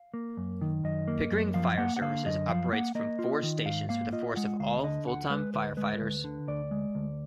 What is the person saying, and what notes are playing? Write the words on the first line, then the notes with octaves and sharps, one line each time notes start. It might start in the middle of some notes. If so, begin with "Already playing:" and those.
Pickering Fire Services operates from four stations with a force of all full-time firefighters.
Already playing: F5
A#3
F#2
D#3
F#2 D#5
A#3
F#2
F3 F5
A#3 F#5
F#5
D3 F5
F#2 D#5
F3 F5
A#3 F#5
A#3 D#5
F4
D#3
G#2 F5
A#3 F5
F4 D#5
G#3 F#5
D2 F5
D3 D#5
D2 F#5
G#3 B4
D2 B4
G#3 B4
D2
D3
D2 D5
G#3
D2